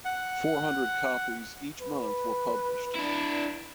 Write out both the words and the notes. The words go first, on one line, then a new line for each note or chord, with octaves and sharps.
Four hundred copies each month were published.
F#5
B4
D4 E4